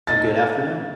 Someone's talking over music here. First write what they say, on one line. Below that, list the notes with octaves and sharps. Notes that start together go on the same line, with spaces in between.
a good afternoon.
A2 A3 D#4 A6